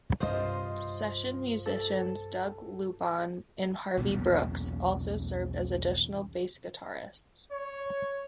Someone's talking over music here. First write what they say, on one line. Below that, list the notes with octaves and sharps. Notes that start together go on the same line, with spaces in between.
Session musicians Doug Lubahn and Harvey Brooks also served as additional bass guitarists.
C2 G2 F3 F4 C5 D#5
A4
B1 E2 A#2 C#3
C#5